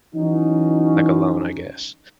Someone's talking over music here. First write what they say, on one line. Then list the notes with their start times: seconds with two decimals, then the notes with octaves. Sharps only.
like, alone I guess,
0.15 E3 F#3 C#4 D#4